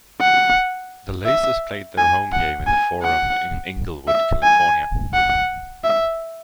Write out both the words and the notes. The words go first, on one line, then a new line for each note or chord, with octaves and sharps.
The Lazers played their home games in The Forum in Inglewood, California.
F#5
E5
G#5
F#5
G#5
F#5
E5
G#5
F#5
E5